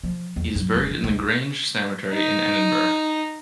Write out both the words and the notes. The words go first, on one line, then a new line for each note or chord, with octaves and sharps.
He is buried in the Grange cemetery in Edinburgh.
F3
E2
F#2
F1 G#3
E3
C#2 E4
D#4